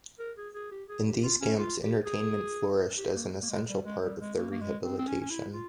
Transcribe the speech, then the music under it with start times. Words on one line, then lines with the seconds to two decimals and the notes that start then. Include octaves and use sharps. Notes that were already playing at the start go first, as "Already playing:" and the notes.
In these camps entertainment flourished as an essential part of their rehabilitation.
0.19 A#4
0.37 G#4
0.54 G#4
0.71 G4
0.89 G#4
1.06 G4
1.24 F4
1.41 C#4
1.59 F4
1.82 G4
2.05 G#4
2.98 G4
3.15 A#3
3.42 A#3
3.50 G#3
3.68 G3
3.85 G#3
4.02 G3
4.21 G#3
4.38 A#3
4.51 A#3
4.61 G#3
4.84 C4
4.98 C4
5.07 C#4
5.21 C#4
5.30 E4
5.53 F4